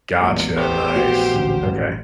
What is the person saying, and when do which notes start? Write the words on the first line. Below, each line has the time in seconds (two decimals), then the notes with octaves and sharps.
Gotcha, nice, okay.
0.21 A1 E2 A#2 G#3
0.57 A3 B3 G4 C5
0.96 A#1 F#4
1.34 A1 D2
1.66 A1